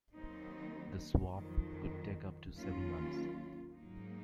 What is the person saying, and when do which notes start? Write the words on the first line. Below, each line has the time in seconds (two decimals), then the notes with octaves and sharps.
The swap could take up to seven months.
0.13 D#2 D#3 F#3 C4 D#4
1.35 F2 D#3 F#3
2.55 D#2 D#3 F#3 C#4 F4
3.75 G#2 F#3 A#3 D#4